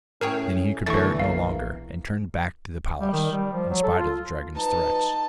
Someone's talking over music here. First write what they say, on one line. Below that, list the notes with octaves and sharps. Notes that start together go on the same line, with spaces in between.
Then he could bear it no longer and turned back to the palace, in spite of the dragon's threats.
A2 C#4 G#4 A#4 C#5 G5
B2 D3 E3 A3 C#6 A6
A#1 A#3 F5
G3
D#3
G3
F3
F#3
A4
F4
F3 F#3 D#4 B4 A5